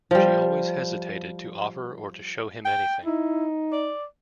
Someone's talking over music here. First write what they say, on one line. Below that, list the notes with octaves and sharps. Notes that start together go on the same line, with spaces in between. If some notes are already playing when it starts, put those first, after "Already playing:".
She always hesitated to offer or to show him anything.
F3 G3
G5
D#4 E4
D5